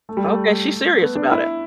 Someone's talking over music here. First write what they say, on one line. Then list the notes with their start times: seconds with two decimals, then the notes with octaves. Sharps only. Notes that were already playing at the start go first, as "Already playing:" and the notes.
Okay, she's serious about it.
0.09 A3
0.17 G3
0.26 A3
1.01 B3
1.15 D4
1.32 E4